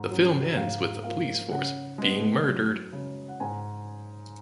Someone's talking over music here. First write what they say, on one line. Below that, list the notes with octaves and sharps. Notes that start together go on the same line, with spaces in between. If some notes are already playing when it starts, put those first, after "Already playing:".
The film ends with the police force being murdered.
Already playing: G#2
F#3 C#4
G#2 F5
F3 A#3 F5
C#3 F#5
G#3 B3
F#2
C#3 G#3
F#5
G#2 G#5